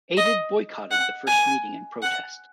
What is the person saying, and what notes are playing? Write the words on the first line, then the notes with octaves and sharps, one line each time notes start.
Aidid boycotted the first meeting in protest.
D#5
F#5
G#5
F#5